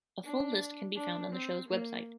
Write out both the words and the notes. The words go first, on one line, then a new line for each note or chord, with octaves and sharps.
A full list can be found on the show's website.
D4
D4
C4
A#3